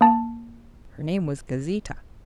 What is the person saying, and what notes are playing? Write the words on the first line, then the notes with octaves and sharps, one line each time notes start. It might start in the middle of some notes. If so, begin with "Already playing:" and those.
Her name was Gauzita.
A#3 A5